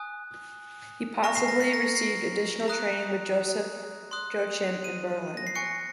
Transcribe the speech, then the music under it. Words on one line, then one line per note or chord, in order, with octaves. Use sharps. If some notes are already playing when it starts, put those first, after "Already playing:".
He possibly received additional training with Joseph Joachim in Berlin.
Already playing: G#5 D#6 F#6
A#5 C#6 F6 A#6
C7
A#6
C7
A#6
C7
A#5 D#6 F#6
C6 D#6 F#6
D#7
A#6
C7
G#5 C#6 F#6 C#7